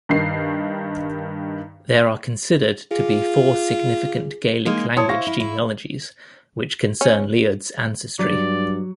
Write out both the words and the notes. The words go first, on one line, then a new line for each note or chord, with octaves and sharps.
There are considered to be four significant Gaelic-language genealogies which concern Leod's ancestry.
G2 D#3 C7
F4 G#4
G#3 A#3 D#4
E4 C5 C#5 A5 D#6
F5 C#6 A#6
E4
E4
C#4
G2 F#3 D5